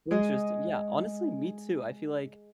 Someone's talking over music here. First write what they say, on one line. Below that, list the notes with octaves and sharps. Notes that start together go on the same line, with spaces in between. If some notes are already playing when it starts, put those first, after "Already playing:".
Interesting, yeah honestly, me too, I feel like,
G#3 G#4 D#5